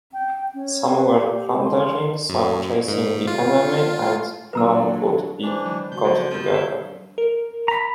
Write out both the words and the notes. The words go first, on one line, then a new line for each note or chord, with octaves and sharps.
Some were plundering, some chasing the enemy, and none could be got together.
G5
C#4
B4
G4
C6
F#2
G#2
F4
F#3 D4 B4 A#5 E6
E3 G#3 D4 B4 C5
D#3 F#3
C#3 B3 F#4 G6
D3 F3 F#3 F#4 C5
F3 B5 E6
E4
A#4
A#5 B5